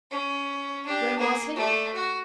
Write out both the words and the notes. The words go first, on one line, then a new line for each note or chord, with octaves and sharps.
Where was he?
C#4
D4 G4
A#3 G#4
A3 D5
F#4